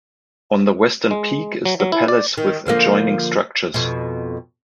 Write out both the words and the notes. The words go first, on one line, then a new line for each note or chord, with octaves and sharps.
On the western peak is the palace with adjoining structures.
G#3
F#3
F#3
E4
D5
D#3
D3 F3 A#3
F2 B2